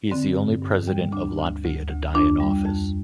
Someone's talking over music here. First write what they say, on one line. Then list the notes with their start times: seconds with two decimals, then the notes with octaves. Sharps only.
He is the only President of Latvia to die in office.
0.11 D3 C4
0.37 G2
0.62 G2
0.87 G3
1.13 D2 D4
1.39 D2
1.64 D2
1.90 D2
2.14 F2 D4
2.40 G3
2.66 F2